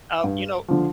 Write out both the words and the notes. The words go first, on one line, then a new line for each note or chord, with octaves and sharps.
uh, you know
G2
D3 F3